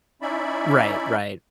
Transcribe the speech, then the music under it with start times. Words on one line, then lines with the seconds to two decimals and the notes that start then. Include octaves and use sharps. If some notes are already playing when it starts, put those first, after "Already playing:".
Right, right.
0.22 C#4 D#4 E4 D5 E5 B5